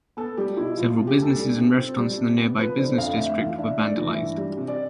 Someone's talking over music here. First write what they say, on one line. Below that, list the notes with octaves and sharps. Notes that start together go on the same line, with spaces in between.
Several businesses and restaurants in the nearby business district were vandalized.
B3 A4
G3 G4
B2 E4
F3 F4
F4
C3
G4
D2 A4
G3
C3
C4
G3
C3
B3
F3 B4
D3 C5
F2 F5
A3 E5
E3 F5
D4 E5
A3 D5
E3
E5
G2
G3
C3
D5